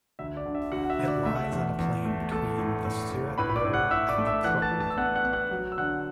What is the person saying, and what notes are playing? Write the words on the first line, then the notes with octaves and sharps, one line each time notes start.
It lies on a plain between the Siret River and the Prut River.
D2 E5
D5
D3
E5
D2 F#4 F#5
F#5
E5
D2
D5
A3 E5
F#5
E5
E2
E2
A3
A3 A4 A5
A2
A2
A2
A2 B4 B5
B5
D5 D6
A2
F#5 F#6
A2 E5 E6
D5 D6
A3
E5 E6
E3 F#5 F#6
A5 A6
E3
A5 A6
E6
B3 F#5 F#6
F#5 F#6
B3
F#5 F#6
F#3
E6
D3 F#5 F#6